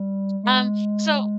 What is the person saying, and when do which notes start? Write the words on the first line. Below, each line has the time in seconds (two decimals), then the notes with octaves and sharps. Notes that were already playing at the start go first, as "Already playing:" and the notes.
um, so
Already playing: G3
0.43 G#3